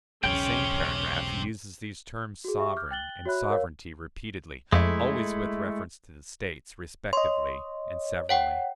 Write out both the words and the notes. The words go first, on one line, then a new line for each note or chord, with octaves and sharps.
In the same paragraph he uses these terms, "sovereign" and "sovereignty," repeatedly--always with reference to the States, respectively and severally.
E1 B1 C#3 C4 C#4 G4 G5
F#4 G#4
G4 E5 C#6
D6 F6 G6
G5 F#6 A6 F#7 G7
F#4 C#5 E5 B5 F#6
A#4 C#5 F5
F2 G#3 A3 E4
C#5 D#5 C6
C#5 F#5 G5